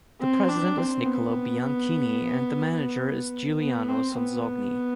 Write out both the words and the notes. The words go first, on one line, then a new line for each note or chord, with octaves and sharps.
The president is Nicola Bianchini and the manager is Giuliano Sonzogni.
C4
D4
C4
B3
B3
C4
B3